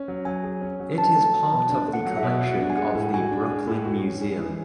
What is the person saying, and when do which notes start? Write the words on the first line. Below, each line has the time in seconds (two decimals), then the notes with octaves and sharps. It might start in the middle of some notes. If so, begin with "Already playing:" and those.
It is part of the collection of the Brooklyn Museum.
Already playing: C#4
0.08 F#3
0.25 F#3 G#5
0.44 G#4
0.61 C#4
0.80 F#3
0.98 D4 A5
1.16 A3
1.33 F#3
1.52 B2
1.69 D4
1.88 A3
1.93 F#5
2.06 F#3 F#5
2.17 E5
2.23 B2
2.42 F#4 F#5
2.60 D4
2.70 G#5
2.77 G#3 F#5
2.95 A2
3.13 F#4 G#5
3.31 D4
3.50 G#3
3.67 A2
3.85 F#4
4.04 C#4
4.21 G#3
4.39 E3